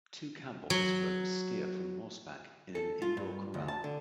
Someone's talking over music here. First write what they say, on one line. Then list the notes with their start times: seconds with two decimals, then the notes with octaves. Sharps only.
Two cowboys rope a steer from horseback in an indoor corral.
0.70 F#3
2.75 A4
3.02 F4
3.17 G2
3.54 D2
3.68 A5
3.84 D3